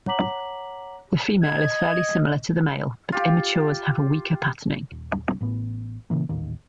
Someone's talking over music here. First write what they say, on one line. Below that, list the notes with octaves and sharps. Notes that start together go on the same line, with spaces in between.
The female is fairly similar to the male, but immatures have a weaker patterning.
C#5 F#5 A#5 D6 B6 F#7
D#5 G#6
F4 G4
D#1
A1 A2 B3
A#2 C#3 E3 A#3
D#1 A1 D#2 D#3